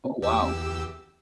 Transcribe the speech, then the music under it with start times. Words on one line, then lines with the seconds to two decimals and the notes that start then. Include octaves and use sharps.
Oh, wow.
0.22 E2 G4 E6